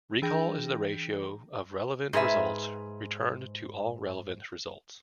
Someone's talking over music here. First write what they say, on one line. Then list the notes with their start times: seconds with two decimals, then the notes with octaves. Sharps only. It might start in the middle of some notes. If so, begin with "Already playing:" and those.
Recall is the ratio of relevant results returned to all relevant results.
0.22 E3 D4 G#4 G5 G6 A#6
2.13 G#2 G#4 B4 E5